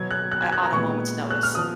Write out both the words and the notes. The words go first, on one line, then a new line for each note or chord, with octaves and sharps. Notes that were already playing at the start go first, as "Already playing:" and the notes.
uh, on a moment's notice.
Already playing: B2 F#3 B3 G#6
F#6
F#6
G#6
F#6
A#5
A#2 G#3 B3 C#6
F#6
F6
F3 B3 D#6